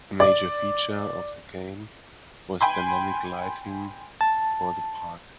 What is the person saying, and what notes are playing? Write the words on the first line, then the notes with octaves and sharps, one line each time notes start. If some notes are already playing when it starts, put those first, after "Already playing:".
A major feature for the game was dynamic lighting for the park.
D5
G5 G#5 B5 C6
A5